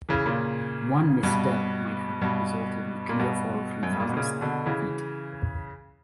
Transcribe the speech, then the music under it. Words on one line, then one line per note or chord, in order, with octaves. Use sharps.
One misstep might have resulted in a clear fall of three thousand feet.
C#3 E3
A#2 C#3
G2 B2
G2 B2
A#2
G2 B2
F#2
G2
A#2
B2
A#2 C#3
B2 D3
C#3 E3